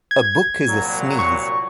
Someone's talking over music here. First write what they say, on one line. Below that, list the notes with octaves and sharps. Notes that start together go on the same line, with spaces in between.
A book is a sneeze.
G#6
C2 A#2 F#3
C#6